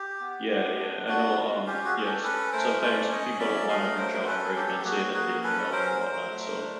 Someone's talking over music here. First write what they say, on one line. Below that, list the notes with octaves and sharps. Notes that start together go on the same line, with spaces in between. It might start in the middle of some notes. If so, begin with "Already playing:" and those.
Yeah, yeah, I know, um Yes, sometimes people don't want to reach out, right, and say that they need help and whatnot, so
Already playing: G4
B3
B3
D4
B3 F#4
F4
C#4 G4
F#4 G#4
C#4
G4 A4
C#4 A4 B4
A3 A#4 C5
C#4 C5 D5
C#4 C#5 D#5
F#3 D5 E5
A3 D#5 F5
F#3 A#4 C5
C#4 A4 B4
F#3 G4 A4
G4
A#3 F#4 G#4
A#3 F#4 G#4
C#4 A4 B4
F#3 A#4 C5
F#3
A3
D4